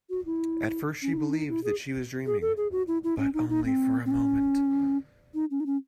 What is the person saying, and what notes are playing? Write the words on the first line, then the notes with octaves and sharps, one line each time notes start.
At first she believed that she was dreaming, but only for a moment.
F#4
E4
C#4
E4
D#4
C#4
D#4
E4
G#4
G#4
A4
G#4
F#4
E4
E4
C#4
D#4
D#4
C4
C4
C#4
D#4
C#4
D#4
C#4